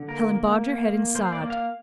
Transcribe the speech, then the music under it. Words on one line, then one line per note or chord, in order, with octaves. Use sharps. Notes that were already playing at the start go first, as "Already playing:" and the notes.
Helen bobbed her head and sobbed.
Already playing: D3
A#3 A#4
A#3
A#3
A#3
A#3 C5
D5
A#3
F5